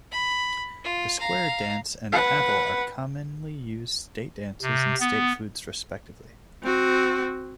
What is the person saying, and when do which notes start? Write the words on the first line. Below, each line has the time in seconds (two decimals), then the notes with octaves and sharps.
The square dance and apple are commonly used state dances and state foods, respectively.
0.12 B5
0.84 F4
1.19 F5 A#5
2.12 B4 F#5
4.62 C3
5.00 B3
6.62 C4 F#4